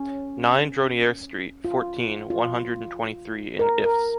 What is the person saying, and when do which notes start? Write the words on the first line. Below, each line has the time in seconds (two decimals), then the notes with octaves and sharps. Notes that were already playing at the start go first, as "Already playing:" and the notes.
Nine Dronnière street, fourteen, one hundred and twenty-three in Ifs.
Already playing: C#4
1.65 F4
2.30 F4
3.59 A#4
3.84 A#4